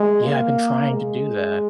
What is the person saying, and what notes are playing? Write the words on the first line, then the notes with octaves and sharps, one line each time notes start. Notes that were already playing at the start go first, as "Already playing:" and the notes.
Yeah, I've been trying to do that.
Already playing: G#3
A#3
G#3